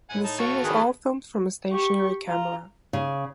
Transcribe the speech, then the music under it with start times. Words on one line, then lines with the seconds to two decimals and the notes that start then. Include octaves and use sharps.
The scene is all filmed from a stationary camera.
0.10 A2 F#5 G#5
0.24 D#4 A5
0.39 F#4 A4 F5 C#6
0.63 E2 D#3 G#4 B4
1.71 G4 C#6
2.27 F4 A#5
2.93 C#3